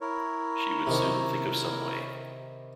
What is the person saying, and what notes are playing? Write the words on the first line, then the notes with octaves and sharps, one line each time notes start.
She would soon think of some way.
E4 A#4 C#5
C3 D#3